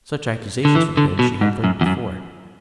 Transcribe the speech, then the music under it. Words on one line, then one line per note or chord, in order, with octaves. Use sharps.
Such accusations from him she had heard before.
D3
E3
D3
B2
G#2
F#2
E2
F#2